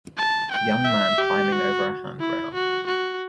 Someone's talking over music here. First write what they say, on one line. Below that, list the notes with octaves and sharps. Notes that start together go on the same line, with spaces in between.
Young man climbing over a handrail.
A5
G5
E5
G4
F#4
E4
F#4
F#4